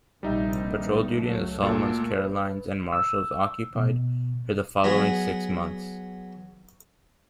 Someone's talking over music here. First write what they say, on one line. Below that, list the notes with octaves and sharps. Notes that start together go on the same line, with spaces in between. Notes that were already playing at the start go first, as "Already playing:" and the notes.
Patrol duty in the Solomons, Carolines, and Marshalls occupied her the following six months.
A#1 C3 D#3 G3 D#4 E5
G2 B3
C#2 F#3 A3
A#2 A3 A#3 F#4 A4
B4
E6
B2
F#3 B3 G#4